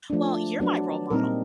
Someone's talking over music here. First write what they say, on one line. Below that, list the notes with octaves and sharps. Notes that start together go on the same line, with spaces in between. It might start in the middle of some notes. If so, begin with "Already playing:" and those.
"Well, you're my role model"
F3 A3 D4
F#3 B3 D4
A#2 G3 C4 D#4 A#4